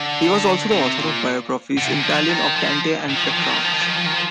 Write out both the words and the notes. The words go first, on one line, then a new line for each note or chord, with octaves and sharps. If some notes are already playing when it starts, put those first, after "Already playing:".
He was also the author of biographies in Italian of Dante and Petrarch.
Already playing: D3
C3
A#2
D3
C3
D3
F3
D#3
F3
D#3
F3
D#3
F3
D#3
F3
D#3
F3
D#3
F3
D#3
F3
D#3
F3